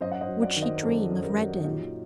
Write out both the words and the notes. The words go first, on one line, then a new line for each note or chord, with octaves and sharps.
Would she dream of Reddin?
F#2 C5 D#5
F#5
C5 D#5
F#3
D5 F#5
D#3
C5 D#5
A#4
F#2 A4 C5
F#2
C5
G4 A#4
F#3
A#2 D#4 G4